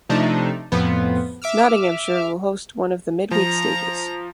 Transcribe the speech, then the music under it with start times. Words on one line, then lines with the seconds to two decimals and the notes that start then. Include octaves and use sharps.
Nottinghamshire will host one of the midweek stages.
0.09 C3 F3 A3 D4 D#4
0.72 F2 A2 F3 B3
1.42 E5 D6 E6 F6
3.31 F3 A#5